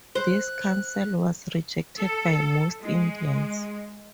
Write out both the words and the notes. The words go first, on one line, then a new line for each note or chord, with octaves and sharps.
This council was rejected by most Indians.
C5 F#6
A4
G#3